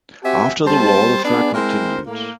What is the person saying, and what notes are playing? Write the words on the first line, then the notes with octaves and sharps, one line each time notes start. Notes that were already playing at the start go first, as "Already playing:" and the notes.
After the war, the fair continued.
C4 F#4 G4 E5 F#5 G#5
G3 A#3 C4 C5 A5
B3 D4 G#4
G#3 C4 E4 A#4 C5
A2 A#3